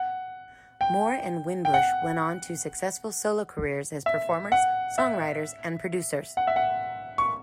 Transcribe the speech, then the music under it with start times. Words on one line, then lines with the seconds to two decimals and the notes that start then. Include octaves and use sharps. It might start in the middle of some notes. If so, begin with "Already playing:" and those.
Moore and Winbush went on to successful solo careers as performers, songwriters, and producers.
Already playing: F#5
0.81 G5
1.65 G5
1.74 F#5
4.06 E5
4.52 F#5
4.98 E5
6.37 F#5
6.47 E5
6.56 F#5
7.18 C#6